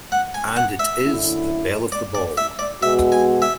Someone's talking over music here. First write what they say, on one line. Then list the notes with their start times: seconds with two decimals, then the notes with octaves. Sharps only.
And it is the belle of the ball.
0.12 F#5
0.34 G#5
0.57 F#5
0.79 E5
1.02 F#2 D3 A3 E4
1.92 D5
2.15 D5
2.37 E5
2.59 D5
2.82 B2 G#3 B3 F#4 E5
3.12 G#5
3.42 E5